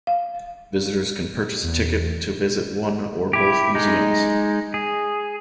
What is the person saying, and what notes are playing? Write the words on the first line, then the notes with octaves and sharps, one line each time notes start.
Visitors can purchase a ticket to visit one or both museums.
F5
E2
E4 G4
G#3 D#4
G#4